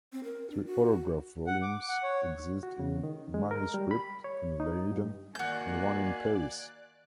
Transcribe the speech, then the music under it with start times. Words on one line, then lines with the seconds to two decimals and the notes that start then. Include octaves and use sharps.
Three autograph volumes exist in manuscript in Leiden and one in Paris.
0.12 C4
0.24 A#4
0.50 D4
0.66 F#4
1.47 F#5
1.62 D6
1.88 F#5
2.03 C#5
2.63 F#4
2.79 C#3
3.03 D#3
3.34 G#3
3.51 A#4
3.74 G3
3.91 B5
4.24 C#5
4.60 D#4
4.91 G2
5.35 D#3 A#3 F#4 D5 G#5 F#6 G6